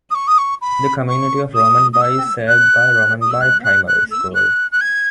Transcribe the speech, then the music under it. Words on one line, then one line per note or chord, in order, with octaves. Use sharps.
The Community of Romanby is served by Romanby Primary School.
D#6
C#6
D#6
C#6
B5
C#6
D#6
D#6
E6
F#6
D#6
E6
F#6
F#6
F#6
E6
F#6
F#6
G#6